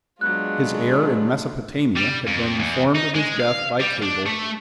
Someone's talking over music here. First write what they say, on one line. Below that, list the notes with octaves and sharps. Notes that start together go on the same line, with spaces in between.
His heir in Mesopotamia had been informed of his death by cable.
F#3 G#3 B3 D4 F4 F#6
G3
F2
E2
D#4
G#3
F5
G3
D4
A3